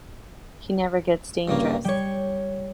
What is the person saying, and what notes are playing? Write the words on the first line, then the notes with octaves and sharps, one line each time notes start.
He never gets dangerous.
G2 C#3 A#3
G3 C#5 G5 C#6